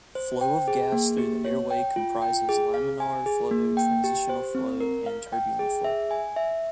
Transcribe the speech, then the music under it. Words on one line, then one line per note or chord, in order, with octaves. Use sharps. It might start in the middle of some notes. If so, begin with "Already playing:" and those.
Flow of gas through the airway comprises laminar flow, transitional flow and turbulent flow.
C5
G5
G#4
A#3
G4
C#5
G5
F4
G5
G#4
F5
G#5
G#4
A#3
G5
G4
C5
C4
A#4
F5
G5
G#4
E5
G#5
E5